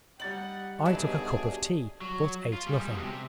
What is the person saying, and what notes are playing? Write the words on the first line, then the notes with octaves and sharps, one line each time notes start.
I took a cup of tea, but ate nothing.
G3 D#4 F#5 A6 F#7
G2 B2 F#3 A3 D4 D#4 G#4
F#3
F4
G3 G#3
B2 G#3
C3